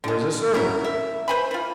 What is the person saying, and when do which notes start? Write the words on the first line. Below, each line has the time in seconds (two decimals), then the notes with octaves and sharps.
Where's the servant?
0.04 D3 G#3
0.54 C#4 E4 F#4 A#4
0.84 E5
1.28 B4 C5 G#5 B5
1.51 E3 F4